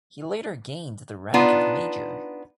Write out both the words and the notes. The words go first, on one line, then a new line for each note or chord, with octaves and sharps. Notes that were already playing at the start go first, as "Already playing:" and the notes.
He later gained the rank of Major.
B3 D4 D#4 F4